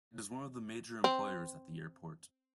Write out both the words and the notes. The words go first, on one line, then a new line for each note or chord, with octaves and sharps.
It is one of the major employers at the airport.
C4